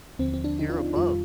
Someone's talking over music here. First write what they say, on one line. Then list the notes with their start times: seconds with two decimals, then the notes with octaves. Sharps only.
here above,
0.19 D#2 D3 F3 C4
0.33 C4
0.44 D4
0.59 D#4
0.69 F4
0.96 F2 D#3 G3 F4